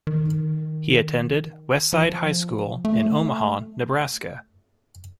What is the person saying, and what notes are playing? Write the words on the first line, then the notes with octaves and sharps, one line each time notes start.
He attended Westside High School in Omaha, Nebraska.
D#3
F3
A3